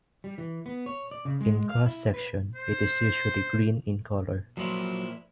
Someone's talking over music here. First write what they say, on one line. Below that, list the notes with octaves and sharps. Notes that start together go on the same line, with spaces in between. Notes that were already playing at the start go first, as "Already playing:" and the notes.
In cross section, it is usually green in color.
G3
E3
B3
C#5
D5
C#3
G#3
F5
E4
B4
C5
A#2 F3 F#3 E4